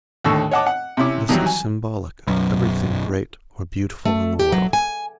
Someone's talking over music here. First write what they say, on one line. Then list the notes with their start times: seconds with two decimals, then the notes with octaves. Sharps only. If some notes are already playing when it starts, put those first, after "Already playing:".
This is symbolic of everything great or beautiful in the world.
0.24 D#2 A2 D3 C#6 E6
0.51 C#5 D#5 F#5 A5 D6
0.66 F#5
0.97 C3 C#4 E4 D6
1.29 D#3 E3 F#3 G3
1.46 G#5
2.27 B1 F#2
4.05 A3
4.40 G4
4.52 F#3
4.73 G#5